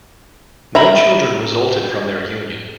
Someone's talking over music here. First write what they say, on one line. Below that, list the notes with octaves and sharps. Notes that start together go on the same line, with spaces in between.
No children resulted from their union.
E5 A#5 B5